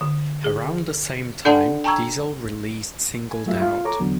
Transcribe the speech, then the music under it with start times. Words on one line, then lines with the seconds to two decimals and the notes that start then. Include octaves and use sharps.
Around the same time, Diesel released "Singled Out".
0.01 D3
0.44 G#4
1.45 D4 A4 D5 F#5 G#5 A5
1.84 G5 A5 A#5 C#6 E6 G#6
3.31 G#5
3.46 F#3 G3 A3 F4 E5
3.62 F4
3.85 A4 C#5 A#5 D6
4.00 E2 D3 F#3 B3